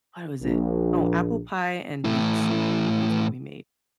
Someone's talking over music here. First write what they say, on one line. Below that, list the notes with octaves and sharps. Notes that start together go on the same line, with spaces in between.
what was it? Oh, apple pie and leek soup, that's what we made,
A#1
A2 E3